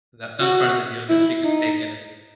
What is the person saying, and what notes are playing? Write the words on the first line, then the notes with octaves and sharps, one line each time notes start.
So that that was part of the deal that she could take it and
F#4
E4
D#4